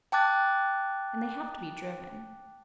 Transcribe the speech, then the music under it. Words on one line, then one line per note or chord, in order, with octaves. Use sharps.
And they have to be driven.
G5 A5 D6 F#6 A6